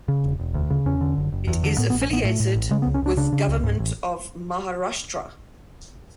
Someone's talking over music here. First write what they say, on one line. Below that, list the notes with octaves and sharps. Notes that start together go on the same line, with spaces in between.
It is affiliated with Government of Maharashtra.
C#3
E1
E1
D2
C#3
E2 C#4
D3
F#1
F#1
E2
D3
A2 B3
B3
A1
C#4
A1 B3
A2 A3
A2
A1
C#3 G#3
B3
C#2
C#4
C#2 D4
C#3 D4
C#3
C#2
G#2
A1